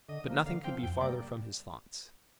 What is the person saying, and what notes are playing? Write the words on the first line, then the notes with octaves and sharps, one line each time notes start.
But nothing could be farther from his thoughts.
D3 D#5
F3 A#3
D3 F5
F3 C4 G5
F2 G5
C3 G3 A#3 D5